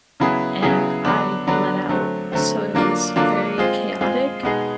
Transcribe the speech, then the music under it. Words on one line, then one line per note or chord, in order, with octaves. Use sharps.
and I bled out. So, it was very chaotic,
C#3 F#3 B3 E4 G#4
C#3 F#3 B3 E4 G#4
D3 F#3 B3 D4
D3 F#3 B3 D4
D3 F#3 A3 C4
D3 F#3 A3 C4
D3 F#3 A#3 D4 F4
D3 F#3 A#3 D4 F4
G#3 C4 F4 G#4
G#3 C4 F4 G#4
B2 G#3 B3 D#4 G#4